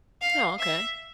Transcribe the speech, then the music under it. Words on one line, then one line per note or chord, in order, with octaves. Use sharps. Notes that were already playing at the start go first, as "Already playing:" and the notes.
Oh, okay.
F5
E5